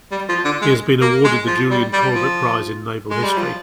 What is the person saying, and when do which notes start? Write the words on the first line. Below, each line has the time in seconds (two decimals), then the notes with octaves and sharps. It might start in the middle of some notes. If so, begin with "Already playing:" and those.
He has been awarded the Julian Corbett Prize in Naval History.
0.11 G3
0.29 F3
0.45 D3
0.62 G#3
1.01 A#3
1.24 G#3
1.47 F3
1.71 G3
1.93 G3
2.15 F3
3.10 G#3
3.23 G3
3.38 F3